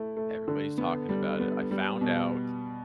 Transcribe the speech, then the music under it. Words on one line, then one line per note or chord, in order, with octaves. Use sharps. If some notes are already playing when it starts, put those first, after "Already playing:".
everybody's talking about it, I found out
Already playing: A3 E4
A3
D3
B3
G3
B3
G3
B2